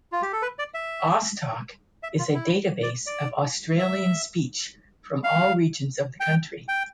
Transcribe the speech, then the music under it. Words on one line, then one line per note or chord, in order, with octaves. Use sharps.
AusTalk is a database of Australian speech from all regions of the country.
F4
G4
A4
B4
D5
E5
E5
F4
E4
D5
D5
E5
F5
G5
G5